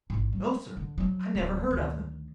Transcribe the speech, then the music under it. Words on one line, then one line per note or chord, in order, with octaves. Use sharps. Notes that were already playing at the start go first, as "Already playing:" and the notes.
"No, sir; I never heard of them."
A1 G#2
F#3
D3
F3 F#3
D1
D2 D#3